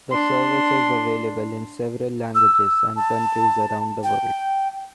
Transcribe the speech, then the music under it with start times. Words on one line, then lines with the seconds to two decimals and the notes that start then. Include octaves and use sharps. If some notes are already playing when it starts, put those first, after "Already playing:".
The service is available in several languages and countries around the world.
0.11 D4 C6
2.35 E6
2.96 A5
4.04 G5